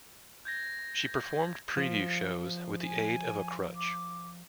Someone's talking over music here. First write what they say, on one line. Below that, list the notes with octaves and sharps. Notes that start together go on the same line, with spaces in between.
She performed preview shows with the aid of a crutch.
G6 G#6 A#6
F3
G#5
D6